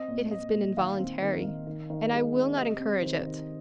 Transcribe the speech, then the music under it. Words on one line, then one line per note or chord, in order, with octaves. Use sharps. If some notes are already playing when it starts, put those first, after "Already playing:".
It has been involuntary, and I will not encourage it.
Already playing: C4 D#5
A#2
A#2 D#5
A#2
D#3 F5
C4
D#3
D#3
D#3
D#3
G#3
C4
C3 D#5
C4
D#3 C5
D#3